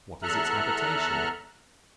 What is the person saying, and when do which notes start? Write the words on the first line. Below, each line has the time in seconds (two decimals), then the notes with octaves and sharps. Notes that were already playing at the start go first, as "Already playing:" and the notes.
What is its habitation?
0.23 E2 A4 E5 A#5 F6 F#6